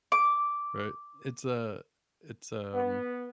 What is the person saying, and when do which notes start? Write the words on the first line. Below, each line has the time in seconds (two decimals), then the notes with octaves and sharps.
Right, it's a it's, um
0.12 D6
2.74 B3